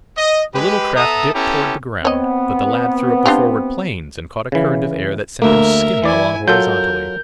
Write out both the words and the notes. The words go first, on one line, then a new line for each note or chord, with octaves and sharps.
The little craft dipped toward the ground, but the lad threw up the forward planes, and caught a current of air that sent him skimming along horizontally.
D#5
G#3 G4 B4
B3 A4 E5 A#5 D#6
B3 C#4 E4 G4 A4 A#5
B3 C4 C#5 D#5
D4 F4 G4
C#3 E3
D2 A3 A#3 A#4 E5
E3 E4 D5 G#5
F#3 F4 A4 A#4 G6